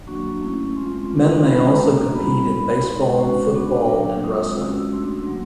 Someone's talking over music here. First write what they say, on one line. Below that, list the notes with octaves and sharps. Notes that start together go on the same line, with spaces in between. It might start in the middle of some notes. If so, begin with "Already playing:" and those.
Men may also compete in baseball, football, and wrestling.
F#3 A#3 D4 F#4 C#6
A3 C#4 E4
G#3 C4 F4 C6
A3 D4 F4 C6
G#3 C#4 E4 B5
A#5
A5
A#5
A#3 D4 F#4
G3 B3 E4 B5
B3 E4 B5
G#3 C4 D#4 F#4 C6
G#3 C#4 F#4 C#6
B3 D4 F#4 D6
F#3 A#3 D4
G#3 C4 F4 D#6
D#6
D#6
G#3 C#4 F#4 E6
A3 D4 F#4 C6
F#3 A#3